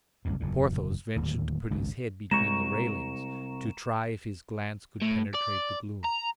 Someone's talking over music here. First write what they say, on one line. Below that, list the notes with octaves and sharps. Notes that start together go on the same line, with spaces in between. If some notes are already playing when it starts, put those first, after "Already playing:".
Porthos ventured to put his head between the railings, to try if his glance could penetrate the gloom.
F#1 C2 F2 G#2
F#1 E2 A#2
D1 D#2
G#1 C#2 G2
C2 G#3 A#5 C#6 E7
A2
D5
A#5